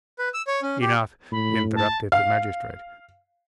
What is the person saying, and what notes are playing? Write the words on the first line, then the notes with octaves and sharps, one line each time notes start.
"Enough," interrupted the magistrate.
B4
E6
C#5
C#4
G4
A2 B5
A5
F5